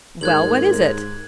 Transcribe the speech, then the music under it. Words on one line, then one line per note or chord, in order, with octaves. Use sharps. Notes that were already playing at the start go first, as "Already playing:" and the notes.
"Well, what is it?"
D#2 G#2 F#6 G#6 F#7